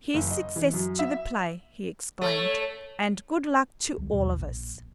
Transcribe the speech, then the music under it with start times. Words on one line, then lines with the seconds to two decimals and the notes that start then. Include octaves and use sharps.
"Here's success to the play," he exclaimed, "and good luck to all of us!"
0.14 F#1
0.31 D#5
0.56 E3
0.73 F#2
0.99 E5
2.21 A3 C#5
3.98 C#2 D3 G3
4.13 A1 D#2 B2
4.37 A#1